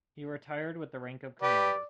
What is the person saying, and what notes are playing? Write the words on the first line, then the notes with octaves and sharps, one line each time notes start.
He retired with the rank of Commander.
G4 B4 D5